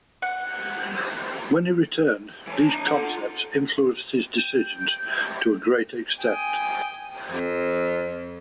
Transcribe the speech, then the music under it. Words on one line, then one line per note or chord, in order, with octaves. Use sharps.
When he returned, these concepts influenced his decisions to a great extent.
F#5
E3 C#5
D4 A#5
A4 F#5
F4
G5
G5 G#5 D#6
F2